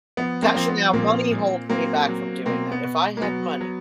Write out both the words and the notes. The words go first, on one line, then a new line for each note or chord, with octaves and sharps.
Gotcha. Now money holds me back from doing that. If I had money
F3 B3
A#3 C4
F3 C4
B3
A#2 A#3 C4
A#2
F#3 A#3 C4
F#3
B2 A#3 C4
B3
B2
A#3
F#3 B3
F#3